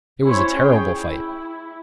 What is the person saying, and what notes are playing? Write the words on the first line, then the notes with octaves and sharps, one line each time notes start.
It was a terrible fight!
C#4 E4 C5 C#5
G#4 C#5 G5
E4